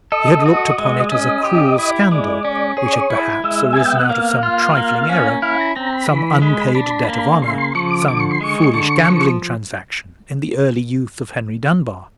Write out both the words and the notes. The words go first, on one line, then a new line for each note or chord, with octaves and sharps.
He had looked upon it as a cruel scandal, which had perhaps arisen out of some trifling error, some unpaid debt of honour; some foolish gambling transaction in the early youth of Henry Dunbar.
A4 D#5
F#4
G#3
C#4
G4
E4
G#3 D5
C#4
G#4 C#5
D5
C#5
E4
G#3 E5
B3 G#5
G5
F#5
A#3 F5
F4
A#3
C#4
E4 F5
A#5
C4 A#5
B5
E3
G#3
D4
A#3
C#3 C6
C6
F3 C#6
D6
D3 D6
C#6
C6
G#3 C#6
D3
F3